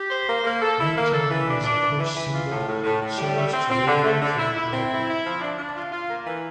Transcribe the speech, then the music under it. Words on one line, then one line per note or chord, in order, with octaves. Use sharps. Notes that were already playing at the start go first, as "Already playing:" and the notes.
"One Time" was the first single serviced to radio from the album.
Already playing: G4
C5
A#3
A#3
A4
E4
A#3
A4
E3
D4
D4
E3
E3
E3
F4
A2
A2
A2
A2
G3
A3
C4
C4
D3
A3
D3
E4
E4
C4
E4
E4
F3
D4
D4
F4
F4
A#3
E3